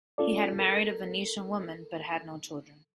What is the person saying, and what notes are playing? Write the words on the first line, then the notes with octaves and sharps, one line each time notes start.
He had married a Venetian woman but had no children.
C#4 F4 A4 D5
A4 A#4